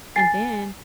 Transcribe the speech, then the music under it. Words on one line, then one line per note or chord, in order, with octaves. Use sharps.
And then,
G#5 A6 C7